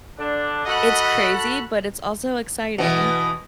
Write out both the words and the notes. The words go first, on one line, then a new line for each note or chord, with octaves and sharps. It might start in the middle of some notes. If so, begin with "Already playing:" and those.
it's crazy, but it's also exciting.
D3 D4
F#4 A4 D#5 F#5 B5 F#6
B2 E3